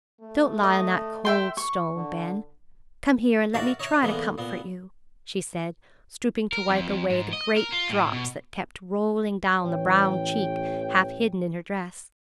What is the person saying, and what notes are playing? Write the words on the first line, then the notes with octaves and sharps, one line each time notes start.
"Don't lie on that cold stone, Ben; come here and let me try to comfort you," she said, stooping to wipe away the great drops that kept rolling down the brown cheek half hidden in her dress.
A3
D#5
E5 G5 C6
C#6
D3
F#4 A#4 D5 E5 F5
D#4 C#5 E5
D3 E3 G#3 A#3 B3
A#2 B3
A#4
F2
F2
G#2
D#5
A#4
F4
A2
B2
A1 E3 C#5 G5